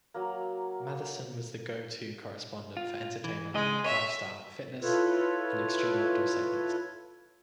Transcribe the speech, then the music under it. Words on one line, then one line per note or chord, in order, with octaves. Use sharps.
Mathison was the go to correspondent for entertainment, lifestyle, fitness, and extreme outdoor segments.
F#3 A#3
F4
E3
G#2 C#3 G#3 D#5
C#5 E5
E4 F4 A4 B4 C#5